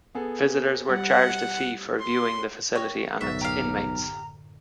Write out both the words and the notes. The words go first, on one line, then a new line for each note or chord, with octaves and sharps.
Visitors were charged a fee for viewing the facility and its inmates.
B3 G#4 A4
G3 F#5
C6
A#4 C#5 G5
B1 F#2 A2 D3 E5
G4 F5 A#5